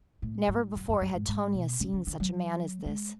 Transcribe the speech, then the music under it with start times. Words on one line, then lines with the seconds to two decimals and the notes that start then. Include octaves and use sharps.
Never before had Tonia seen such a man as this.
0.22 A2
0.48 G#2
0.75 F#2
0.88 F#2
1.01 F#2
1.15 G#2
1.28 G#2
1.54 B2
1.80 C#3
1.93 C#3
2.07 D3
2.20 F#3
2.86 G#3